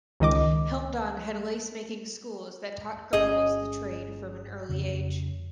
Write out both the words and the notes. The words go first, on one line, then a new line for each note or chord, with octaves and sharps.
Helmdon had lace-making schools that taught girls the trade from an early age.
C#2 D#3 D#5 D6
G1 C#4 G#4 D#5
F2 C#3